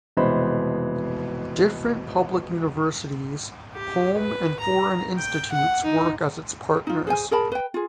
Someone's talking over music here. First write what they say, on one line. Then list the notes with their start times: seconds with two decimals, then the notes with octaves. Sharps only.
Different public universities, home and foreign institutes work as its partners.
0.17 F1 B2 E3 G#3 C5 B5
3.74 G4
4.17 B4
4.60 A#5
5.18 G5
5.52 F#5
5.84 D#4
6.87 D#4 F4
7.07 G#4 C5 G#5
7.31 G#4 A#4 A5 B5
7.52 B4 G5
7.74 F4 G#4